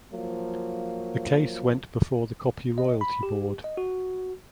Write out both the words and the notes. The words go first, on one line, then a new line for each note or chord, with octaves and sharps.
The case went before the Copy Royalty Board.
F3 F#3 A#3
D#5
B5
G4
D#5
F#4